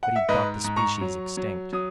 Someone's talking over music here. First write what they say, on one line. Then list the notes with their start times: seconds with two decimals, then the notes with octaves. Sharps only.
But he'd thought the species extinct.
0.03 F#5
0.16 E5
0.29 G#2 B4 D#5
0.64 G#2
0.77 A#5 C#6
1.01 F#3
1.37 F#3
1.73 F#3 D#6